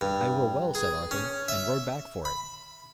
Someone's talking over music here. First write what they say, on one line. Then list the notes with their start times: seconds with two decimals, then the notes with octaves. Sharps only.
"I will well," said Arthur, and rode back for it.
0.01 G2
0.75 G#4
1.11 C#4
1.48 E5
2.25 B5